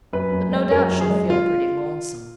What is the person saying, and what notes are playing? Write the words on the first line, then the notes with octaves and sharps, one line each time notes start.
But no doubt she'll feel pretty lonesome.
F#2 B4
F#2
G#3
F#2 A#4
F#2
G#4
G#3
F4